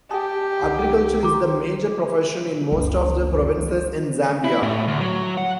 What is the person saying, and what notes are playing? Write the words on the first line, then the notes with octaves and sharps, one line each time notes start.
Agriculture is the major profession in most of the provinces in Zambia.
G4 G#5 A5 D#6
C2 D#4 F#5
D#3 A#5 C6 D6
F#1 C#2
E4
A2
D2
F#3
F#5